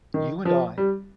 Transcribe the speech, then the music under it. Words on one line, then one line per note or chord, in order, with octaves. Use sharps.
You and I.
D#3
F3
G3